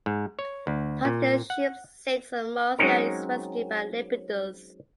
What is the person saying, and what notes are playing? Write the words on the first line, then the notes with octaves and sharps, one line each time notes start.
Totila’s ship sinks and Marzia is rescued by Lepidus.
G#2
C#5
D2
A#2
F#5
F#3 G#3 C4 C#4 D#4 A#4